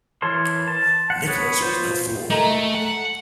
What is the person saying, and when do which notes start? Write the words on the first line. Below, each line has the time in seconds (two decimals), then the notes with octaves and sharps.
Nicholas was no fool.
0.22 E3 A#4 C#5 A5 C6
0.68 A5
1.10 F#5
1.27 B3 C#5
1.61 F4 C5
2.30 A3 D#4 A4 A#4 G#5
2.74 F#5